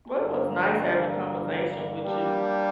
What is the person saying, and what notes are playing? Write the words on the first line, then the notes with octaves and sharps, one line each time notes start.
Well, it was nice having a conversation with you.
G2 D3 G3 A#3
G3 A#3 D4 G4